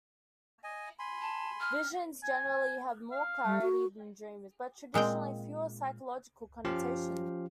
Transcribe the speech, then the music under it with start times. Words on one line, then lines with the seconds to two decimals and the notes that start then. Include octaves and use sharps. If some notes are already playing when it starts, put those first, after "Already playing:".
Visions generally have more clarity than dreams, but traditionally fewer psychological connotations.
0.64 D#5 G#5
0.99 G#5 B5 C6
1.21 A5
1.60 F6
2.23 G#5
3.12 F5
3.45 G3
3.62 F#4
4.94 A#2 G#3 C4 G5
6.65 F3 C#4 F4 G4 F5